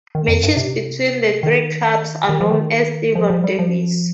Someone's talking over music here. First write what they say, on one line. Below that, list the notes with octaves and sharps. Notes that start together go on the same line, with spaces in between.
Matches between the three clubs are known as Devon derbies.
D#3
F2
G2
C3
D#3
D#3
F3
D#3
F3
F3
G3
F3